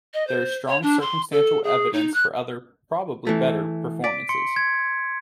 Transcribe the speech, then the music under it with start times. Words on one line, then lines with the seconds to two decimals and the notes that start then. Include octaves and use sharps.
There is strong circumstantial evidence for other, probably better, performances.
0.13 D#5
0.27 C5
0.68 C#5
0.82 D4
1.01 C6
1.31 A4
1.63 G#4
1.93 D#4
2.13 F#6
3.27 E3 A3
4.04 D5 B6 D7
4.29 C6 C#7
4.56 G#6